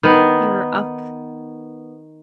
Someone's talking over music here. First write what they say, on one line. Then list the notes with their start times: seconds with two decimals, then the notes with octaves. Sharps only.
you're up
0.03 D#3 B3